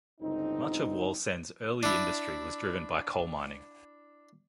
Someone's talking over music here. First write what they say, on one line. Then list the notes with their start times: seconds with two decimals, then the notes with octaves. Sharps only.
Much of Wallsend's early industry was driven by coal mining.
0.21 G1 C#2 D3 C4 D#4
1.83 D4 E4